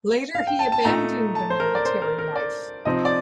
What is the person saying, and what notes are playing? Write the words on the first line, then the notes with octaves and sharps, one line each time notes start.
Later he abandoned the military life.
F5
G5
A5
A5
A#2 A3 D#4 A#5
A5
C5
A#4
D5
C5
A#4
A#4
D5
C3 F3 C4 D#4 D#5
D5